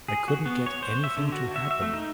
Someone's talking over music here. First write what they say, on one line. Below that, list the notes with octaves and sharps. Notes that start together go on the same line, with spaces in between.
I couldn’t get anything to happen.
G#4
F#4
B3
C#5
C5
E5
D3
F#4
E5
E5
A3
D#4